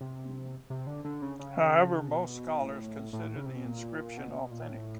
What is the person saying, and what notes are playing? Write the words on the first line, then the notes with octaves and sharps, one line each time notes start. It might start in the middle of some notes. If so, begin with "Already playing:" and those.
However, most scholars consider the inscription authentic.
C3
C3
D3
D3
C#3
C#3
B2
A2
A2
C#3
C3
B2
A#2
B2
A#2
B2
A#2
A2